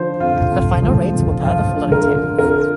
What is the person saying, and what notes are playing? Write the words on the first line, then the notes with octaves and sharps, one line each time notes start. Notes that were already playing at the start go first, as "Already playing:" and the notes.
The final rates were per the following table.
Already playing: D3 F3 C5
F2 F4
F2
F3
F2
F3 F4
D3
A#4
D3
F2 A#4